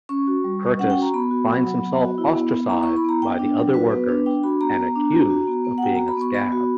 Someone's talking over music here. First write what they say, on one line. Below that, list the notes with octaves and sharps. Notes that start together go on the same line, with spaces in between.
Curtis finds himself ostracised by the other workers and accused of being a scab.
C#4 C#6
F#4
G3
G3
C#4 F#5
G5
F#4
A#5
B3 B5
F#4
F#3
F#3
B3
F#4
E4
B3
B3
E4 A#5
E4 C#6
B5
B3 A#5
B3 G5
D4
F#3
F#4 B4
B3
D4
D4 G5
F#4 B5
B3 A#5
B3
D4
F#4
F#4
B3
B3
F#5
F#4 G5
F#4 A#5
B5
B3 C#6
B3 B5
F#4